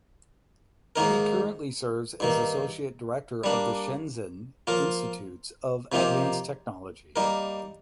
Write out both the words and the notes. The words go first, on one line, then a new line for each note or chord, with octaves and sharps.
He currently serves as Associate Director of the Shenzhen Institutes of Advanced Technology.
G#2 D#3 A#3 D#4 A#4
G2 D#3 A#3
G3 A#3 D4
F3 A#3 F4 A#4
C3 F3 A#3 D#4 G4
G3 A#3 D#4 A#4